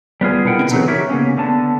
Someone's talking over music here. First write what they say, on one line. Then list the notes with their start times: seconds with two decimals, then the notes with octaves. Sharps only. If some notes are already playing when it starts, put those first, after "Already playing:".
You, too.
0.21 G3 B3 F4 G#4
0.45 B2 D3 E4 A#4 F#5 G5
0.71 C#3 E3 F#3 B3 C4 D#4
0.88 D#4 F#4 G4 A#4 C#5 E5
1.09 C#3 A#3 B3 C#4
1.37 D3 B3 A5